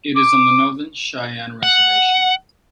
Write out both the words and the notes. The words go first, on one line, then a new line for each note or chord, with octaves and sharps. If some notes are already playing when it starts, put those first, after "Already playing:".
It is on the Northern Cheyenne reservation.
D6
F#5